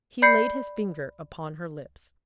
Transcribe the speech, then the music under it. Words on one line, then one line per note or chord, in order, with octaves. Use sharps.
He laid his finger upon her lips.
D5 B5 G6 C7 C#7